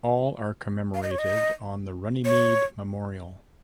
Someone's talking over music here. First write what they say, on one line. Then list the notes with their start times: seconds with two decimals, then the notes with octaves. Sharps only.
All are commemorated on the Runnymede Memorial.
0.95 F5
1.03 D#5
1.11 C#5
1.19 D#5
2.26 C#5